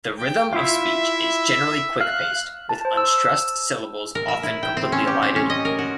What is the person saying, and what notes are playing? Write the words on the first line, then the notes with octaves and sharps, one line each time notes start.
The rhythm of speech is generally quick-paced, with unstressed syllables often completely elided.
G5
E4 F4 E5 F5
F5 F#6
A5
C5
E6
A#4
E5
E4
G5
C4
C#4
G4
C4
C#4
D#5
A#4
F#4